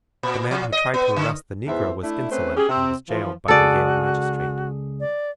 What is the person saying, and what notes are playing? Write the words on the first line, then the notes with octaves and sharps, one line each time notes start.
The man who tried to arrest the negro was insolent and was jailed by the Yale magistrate.
A#2
F3
D#5
B3
D3
E2 G#2 E3 C5 E5
A3 D4 E4
A3 C4 C#4 B4 C5
C#4 G4 G#4
C3 C4
E3 F3
C#2 F#4 G#4 A4 D5
D5